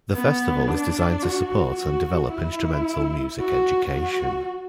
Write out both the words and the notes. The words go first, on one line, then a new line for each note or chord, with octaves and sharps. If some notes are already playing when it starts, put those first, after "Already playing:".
The festival is designed to support and develop instrumental music education.
B3
D4
F#4
F#4
E4
F#4
F#4